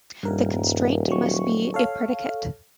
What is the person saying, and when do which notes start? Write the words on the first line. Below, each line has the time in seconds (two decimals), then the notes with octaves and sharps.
The constraint must be a predicate.
0.23 D#1 G2 A#4
1.08 F#3 C#6
1.74 A4 C#5 F5